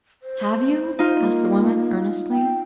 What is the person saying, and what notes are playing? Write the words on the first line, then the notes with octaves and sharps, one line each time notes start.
"Have you?" asked the woman, earnestly.
C5
D#4 F4
A#3
G5